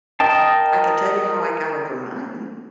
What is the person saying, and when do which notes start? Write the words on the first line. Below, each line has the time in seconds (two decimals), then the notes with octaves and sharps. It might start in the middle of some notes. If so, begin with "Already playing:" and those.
I can tell you how I got over mine.
0.20 A#4 D#5 G5 A5